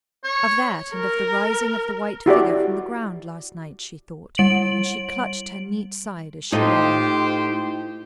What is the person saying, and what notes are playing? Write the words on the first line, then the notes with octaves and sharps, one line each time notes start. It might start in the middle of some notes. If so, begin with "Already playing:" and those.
Of that, and of the rising of the white figure from the ground last night she thought, and she clutched her neat side as she ran.
C#5
A#4
E4 F#4 G4 D5
G3 D7 F#7
A2 D#4 F4 G4 C5 D#5